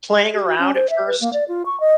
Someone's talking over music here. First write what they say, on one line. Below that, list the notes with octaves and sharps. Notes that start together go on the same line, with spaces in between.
playing around at first.
G4
F#4
C#4
C5
E5
B4
A#3
D5
F4
C#6
D#5